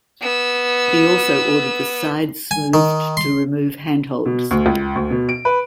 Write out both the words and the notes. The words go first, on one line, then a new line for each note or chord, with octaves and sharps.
He also ordered the sides smoothed to remove handholds.
B3 E6
G#5
D#3
C6
B2
D2
C#2
D2
B2
D7
B4